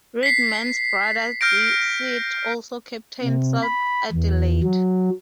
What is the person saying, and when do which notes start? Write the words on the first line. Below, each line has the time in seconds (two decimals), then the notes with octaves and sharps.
Reedman's brother Sid also captained South Adelaide.
0.23 B6 C7
1.41 F6 G6 A#6 D7
3.23 C3
3.63 B5
4.12 E2
4.63 F#3